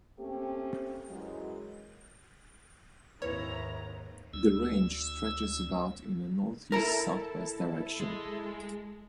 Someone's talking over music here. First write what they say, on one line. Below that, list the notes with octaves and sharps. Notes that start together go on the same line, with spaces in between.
The range stretches about in a northeast-southwest direction.
A3 A#3 C4 C#4 G4
F#2 E3 F#3 G#3
D#2 G#2 C4 E4 B4 C#5 A#5
D2 E6
E4 A4 A#4 A5 A#5
G#3